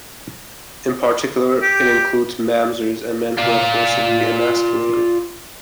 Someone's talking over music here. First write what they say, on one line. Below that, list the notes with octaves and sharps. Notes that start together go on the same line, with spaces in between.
In particular, it excludes "mamzers", and men who have been forcibly emasculated.
G4
F4 D5